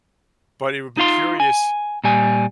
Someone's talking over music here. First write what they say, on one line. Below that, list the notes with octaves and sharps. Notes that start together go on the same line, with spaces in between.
but it would be curious
D#4 F4 F5 C6
G#5
A#2 G3 G#5